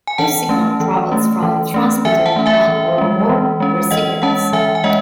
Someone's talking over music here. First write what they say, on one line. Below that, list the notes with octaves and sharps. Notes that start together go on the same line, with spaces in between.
Each signal travels from a transmitter to one or more receivers.
G#5
E3 F#5 A5
A3 C#4
E3
A3 C#4
E3
A3 C#4
E3 E5 G#5
F#5 A5
A3 C#4
E5 G#5
E3
G#3 C#4
E3
G#3 C#4
E3 D#5 F#5
G#3 C#4 F#5 A5
E3 E5 G#5
G#5
G#3 C#4 D#5 F#5